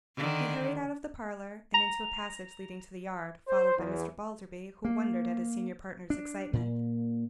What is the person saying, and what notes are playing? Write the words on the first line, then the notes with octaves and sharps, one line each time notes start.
He hurried out of the parlour, and into a passage leading to the yard, followed by Mr. Balderby, who wondered at his senior partner's excitement.
D3 D#3
A#5
C5
E2
A#3
D4
A#2